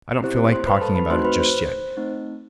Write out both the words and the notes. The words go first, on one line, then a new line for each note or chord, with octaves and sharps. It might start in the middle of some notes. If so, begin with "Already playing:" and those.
I don't feel like talking about it just yet.
C4 E4 G4 C5
C5 C6
B4 B5
A4 A5
B4 B5
A3 C4 D#4 F#4 C5 C6
B4 B5
C5
A3 C4 D#4